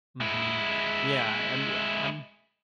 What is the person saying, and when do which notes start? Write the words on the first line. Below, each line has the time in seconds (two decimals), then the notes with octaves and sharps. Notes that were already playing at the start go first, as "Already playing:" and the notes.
Mhm. Yeah, um, yeah, um
0.21 G#3 E4